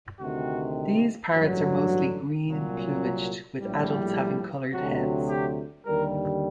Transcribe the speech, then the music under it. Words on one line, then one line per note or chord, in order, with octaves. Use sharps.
These parrots are mostly green plumaged, with adults having coloured heads.
D2 C3 D#3 F#4
A1 G2 D3 F#3
F#4
C2 A#2 F#3
A#1 A2 G3
D2 C3 F#3 F#4
G4
D#2 D3 G3 A#4